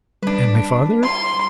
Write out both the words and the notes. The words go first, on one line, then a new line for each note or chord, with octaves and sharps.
"And my father?"
G3 D4 B4
C6